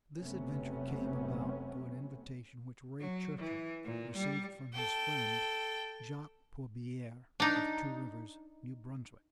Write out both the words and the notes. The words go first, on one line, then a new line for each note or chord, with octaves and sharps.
This adventure came about through an invitation which Ray Churchill received from his friend, Jacques Pourbiere of Two Rivers, New Brunswick.
F1 C3 F#3 A3 B3 C#4
F#3
E3
A#2
G3
A4 G5
D4 D#4